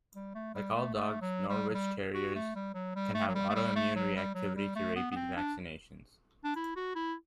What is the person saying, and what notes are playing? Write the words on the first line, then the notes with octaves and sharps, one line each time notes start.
Like all dogs, Norwich Terriers can have autoimmune reactivity to rabies vaccinations.
G3
A3
G3
A3
A3
F#3
G3
F#3
G3
F#4
A3
G3
F#3
G3
A3
F#3
G3
A3
G3
A3
F#3
G3
F#3
G3
A3
B3
B3
C4
D4
D4
E4
F#4
E4